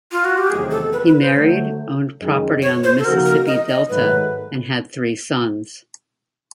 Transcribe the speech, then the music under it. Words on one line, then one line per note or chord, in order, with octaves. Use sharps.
He married, owned property on the Mississippi Delta, and had three sons.
F4
F#4
G4
E2 C3 D#3 F#3 A3 G#4
A4
B4
B4
C5
D3 F#3 A3
F#2 D#3 G#3
C#5
C5
A4
C#3 F3 A#3 D#4 F#4 A#4
A#4
D#5
D#5
G#2 D#3 F#3 A3 B4